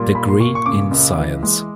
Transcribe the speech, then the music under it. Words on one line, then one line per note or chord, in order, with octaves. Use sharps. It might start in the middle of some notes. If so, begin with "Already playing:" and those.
Degree in Science.
Already playing: A#2 G3
A#3 B5
C6
A#2 C#6
C#6
C#3 D6
C#2
E3
G#3